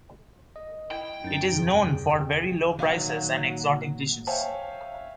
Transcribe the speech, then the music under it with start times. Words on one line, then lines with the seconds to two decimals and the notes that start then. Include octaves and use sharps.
It is known for very low prices and exotic dishes.
0.56 D#5
0.91 E4 G5
1.24 F#2 D#4 A6
1.53 E2 C3 G#4
2.79 A#2 D#3 F#3 F5 F#5
4.27 C5 C#5 E5 F5 G5 G#5